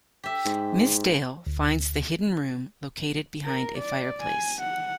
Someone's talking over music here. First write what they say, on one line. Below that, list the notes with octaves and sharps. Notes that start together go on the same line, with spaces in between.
Miss Dale finds the hidden room, located behind a fireplace.
G4 E5
G#2
D2
A#4
D5
G#5
F#5